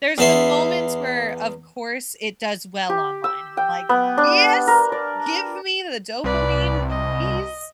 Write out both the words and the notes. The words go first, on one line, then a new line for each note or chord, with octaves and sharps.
there's the moments where, of course, it does well online, and I'm like, "Yes, give me the dopamine, please,"
E2 B3 E5 C6
G4
E6
G5
B3
D4
A#4
D5
C2 B4 D5
D#5